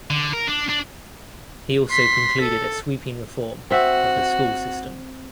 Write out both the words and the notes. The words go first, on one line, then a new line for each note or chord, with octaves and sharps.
He also concluded a sweeping reform of the school system.
D3
A#4
D4
D4
C6 B6
A4
C4 F#4 E5